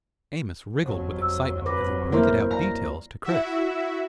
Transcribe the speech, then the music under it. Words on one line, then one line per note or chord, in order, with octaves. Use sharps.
Amos wriggled with excitement as he pointed out details to Chris.
G1 F2 F#3
E6
B4 D6 A#6
A#3 E4 A#4 C5
D5 F5 A#5
E4 F#4 E5